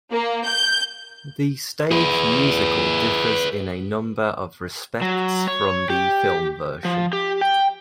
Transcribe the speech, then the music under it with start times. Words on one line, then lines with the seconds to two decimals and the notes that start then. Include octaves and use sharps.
The stage musical differs in a number of respects from the film version.
0.11 A#3
0.45 G6
1.91 G#4 B4
5.02 F#3
5.47 C#5
5.90 G4
6.85 F3
7.13 G4
7.41 G5